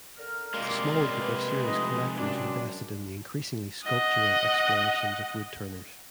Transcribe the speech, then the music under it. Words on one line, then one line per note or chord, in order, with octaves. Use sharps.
A small group of serious collectors invested in the increasingly sculptural explorations of woodturners.
D3 A#4 F6
F#2 C3 G#3 A#3 D5
B4
F1 D#5
F#2 D4
D#5 F#5